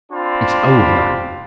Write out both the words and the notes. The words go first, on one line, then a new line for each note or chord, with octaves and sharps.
It's over....
C4 D4 F4 B5